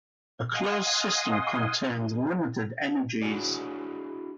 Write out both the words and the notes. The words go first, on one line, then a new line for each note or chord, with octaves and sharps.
A closed system contains limited energies.
D#5 F5 F#5 G#5 C6 D#6
D4 E4 F#4 G#4 D5